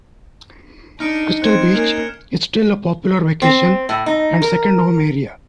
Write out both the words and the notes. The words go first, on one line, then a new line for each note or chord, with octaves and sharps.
Crystal Beach is still a popular vacation and second-home area.
D4 D#4 F6 C#7 D7
C4 F#6 G#6 E7
A#3 C#4 F6 C7 F7
C4
A2
D#4
A#4